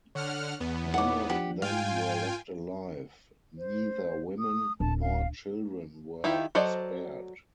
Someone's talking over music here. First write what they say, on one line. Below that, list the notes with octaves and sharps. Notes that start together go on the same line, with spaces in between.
None of them were left alive; neither women nor children were spared.
D3 C#5 F#5 F6
E2 B3
D#4 E4 C#5 F#5 D6
F3 D4 G4 F#5
G#2 F4 F5 G5 G#5
C5
D#6
D1 A5
F5
D#3 E4 F4 G4
F#3 A4 C5 D5 D#5